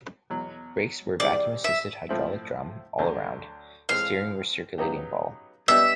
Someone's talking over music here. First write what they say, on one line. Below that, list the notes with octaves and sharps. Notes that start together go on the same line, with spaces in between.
Brakes were vacuum-assisted hydraulic drum all around, steering recirculating ball.
E2 B2 F#3
D#3 G3 C4 E4 G#4 D5
E5
A2 F3 A3 C4 E4
D2 D3 F#3
A2 E3 G#3 C4 F5
C#3 F#3 B3 D#4 G4
B2 G3 B3 D4 G4 E5